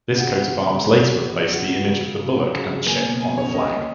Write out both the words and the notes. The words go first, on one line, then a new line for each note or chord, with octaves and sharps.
This coat-of-arms later replaced the image of the bullock and ship on the flag.
C#3 F#5
B3
B3
C#3
B3
F#3
B3
F#3
C#3 F#5
F#3
C#3
F#3
C#3
F#3
C#3
C#3
A#3 G#5
B2
B2 G#5
C#4 C#5
C#4 D#5
A#3